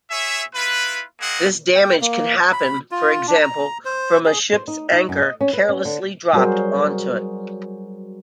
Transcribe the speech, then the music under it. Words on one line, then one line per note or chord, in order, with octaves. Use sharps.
This damage can happen, for example, from a ship's anchor carelessly dropped onto it.
G#4 C#5 E5
E4 F4 B4
A#3 C4 G#4 D#5 F#5
G5
A#3
B5
F4
D4
A#5
C5
G#4
C5
D#4
D#4
F#2
D#5
C#4
B4
C#4
D3
F#3 G3 F#4 G#4 A#4 C5